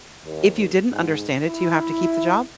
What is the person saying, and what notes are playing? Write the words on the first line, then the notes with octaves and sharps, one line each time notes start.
if you didn't understand it, do you have to keep the job?
D#2
G#2
E4